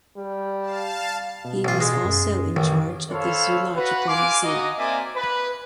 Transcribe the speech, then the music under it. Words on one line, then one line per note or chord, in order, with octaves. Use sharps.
He was also in charge of the Zoological Museum.
G3
F5 A5
B2
A1 F4
G#3
F#2
A1 D#3
E4 A4 C5 C#5 F5
F#4 B4
F5 G#5 C6 D6
D#4 F#4 D#5
A#3 C4 D5 E5 G#5
B4